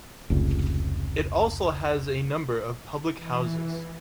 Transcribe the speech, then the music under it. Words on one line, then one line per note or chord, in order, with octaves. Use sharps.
It also has a number of public houses.
F1 C#2
E3